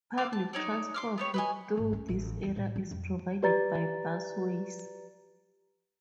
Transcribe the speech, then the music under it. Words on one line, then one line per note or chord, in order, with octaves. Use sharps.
Public transport through this area is provided by Busways.
A#3 C4 F5 D6
A5
D#4 C#5 D5
C6 D6 F6
B3 G4 C#5
B4 D#5 G#5
G#1
C#4
A1
E2
A2
F3
F2
G4 B4 D5 A#5 A6